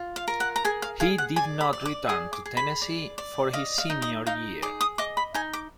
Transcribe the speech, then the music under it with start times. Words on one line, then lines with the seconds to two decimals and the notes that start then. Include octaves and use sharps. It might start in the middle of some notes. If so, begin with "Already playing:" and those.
He did not return to Tennessee for his senior year.
Already playing: F4
0.16 F5
0.28 A#4
0.40 F#5
0.56 A#5
0.65 G#4 G#5
0.82 F5
1.00 G#4 F5
1.18 F#5
1.36 D5 G#5
1.61 B5
1.73 D5
1.85 D6
2.09 G#4 D#6
2.33 D6
2.45 G#4
2.57 B5
2.82 D5
3.18 D5
3.53 D#5 F5
3.78 F5
3.90 D#4
4.02 D#5
4.27 D#4 F5
4.62 G#4 D6
4.81 D#6
4.98 D#5 D6
5.17 B5
5.34 D#4 G#5
5.53 D6